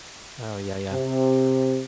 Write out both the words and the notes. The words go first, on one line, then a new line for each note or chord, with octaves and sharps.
Oh, yeah, yeah.
C3